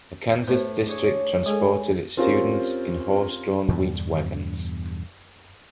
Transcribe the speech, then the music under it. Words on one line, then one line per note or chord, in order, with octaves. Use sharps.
A Kansas district transported its students in horse-drawn wheat wagons.
A2 B4 C5
D4 G#4 C#5
G#3 G#4 A4 G#5
C4 C#4 F4 G4 A#4
E2 G2 B2 D3